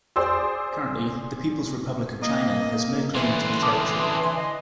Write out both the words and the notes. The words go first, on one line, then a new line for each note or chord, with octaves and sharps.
Currently, the People's Republic of China has no claim to the territory.
G#4 C5 D5 C6 E6
A#3 D#5
D3 E3 C#4 C6
A5 D6 D#6
D#5